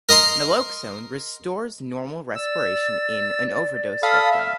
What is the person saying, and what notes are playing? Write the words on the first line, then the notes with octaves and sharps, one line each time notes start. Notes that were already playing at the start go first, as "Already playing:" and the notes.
Naloxone restores normal respiration in an overdose victim.
A#4 D#5 A#5 C6
D5 E6
A4 F5 B5 D#6
E5